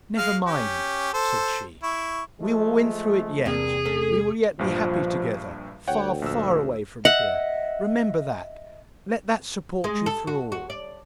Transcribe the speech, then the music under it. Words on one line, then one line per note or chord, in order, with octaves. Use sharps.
'Never mind,' said she; 'we will win through it yet--we will yet be happy together, far, far away from here--remember that--let that support you through all.
G#3 F5 F6
C#4 G4
A4 C5
E4 C#6
F3 G#3 A3
E2 G2 C3 A#3 C4 G#4 G#6
A3 C#4 A4
A#1 G2 F3
D2 C#5 F#5 G5
A#1 E6
D#5 E5 F#5
G#3
A4
F#4
F#4
D5